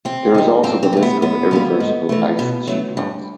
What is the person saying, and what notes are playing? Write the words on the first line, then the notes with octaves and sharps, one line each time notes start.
There is also the risk of irreversible ice sheet loss.
C3 C4
D#3 G3
G2 C4
C4
E3 A3
B3
F#2 B3
D3 G3 A#3
G#2
E3 A3
B2
F#3 A3
G2